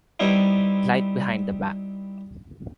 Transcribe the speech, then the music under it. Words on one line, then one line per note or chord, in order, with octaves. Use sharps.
Light Behind The Back.
G3 B3 C4 D#4 E4